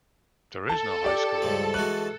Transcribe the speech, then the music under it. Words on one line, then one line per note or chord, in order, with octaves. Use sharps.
There is no high school.
A4 A5
G4 D5
C#2 G2 F3
E3 G#3 F#4 F#6